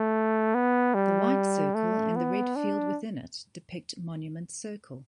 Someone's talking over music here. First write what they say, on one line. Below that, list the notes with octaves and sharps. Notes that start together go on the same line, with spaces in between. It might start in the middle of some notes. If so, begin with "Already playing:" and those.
The white circle and the red field within it depict Monument Circle.
Already playing: A3
B3
G3
A3
B3
D4